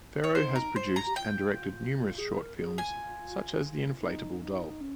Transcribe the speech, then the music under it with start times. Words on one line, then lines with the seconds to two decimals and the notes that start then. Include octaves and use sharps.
Ferro has produced and directed numerous short films such as The Inflatable Doll.
0.24 C#5
0.35 D#4 C5
0.56 A#4
0.72 D#4
0.75 F4 C5
0.96 A#5
1.06 G4
1.16 F4 G5
1.98 F4
2.17 G#4
2.38 A#4
2.57 G#4
2.78 F4 G#5
3.59 F4
4.00 D#4
4.40 D#4
4.80 C#4